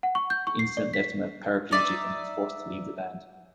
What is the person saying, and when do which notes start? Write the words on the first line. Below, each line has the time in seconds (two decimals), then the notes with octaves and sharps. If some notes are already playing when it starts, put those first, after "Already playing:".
The incident left him a paraplegic and he was forced to leave the band.
0.03 F#5
0.15 C#6
0.30 G6
0.47 C#6
0.59 C7
0.77 D5
0.94 B6
1.71 D#4 D5 E5